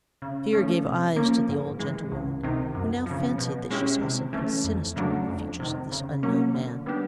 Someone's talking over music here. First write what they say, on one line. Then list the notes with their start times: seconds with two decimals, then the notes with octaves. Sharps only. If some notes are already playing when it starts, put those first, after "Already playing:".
Fear gave eyes to the old gentlewoman, who now fancied that she saw something sinister in the features of this unknown man.
0.22 C#3
0.53 F3 A3 C#4
0.85 C3
1.16 F3 A#3 C#4
1.49 G#2
1.79 E3 G#3
2.12 C#2
2.43 C3 D#3
2.75 F#2
3.06 C#3 F3
3.38 B2
3.70 G#3 C#4 E4 G4
4.01 C3
4.33 E3 A3 C#4
4.64 F2
4.96 C#3 F#3 A3 D4
5.29 F2
5.60 C3 D#3
5.92 C#3
6.23 F#3 A#3 C#4
6.54 D3
6.86 G3 B3 D4 G4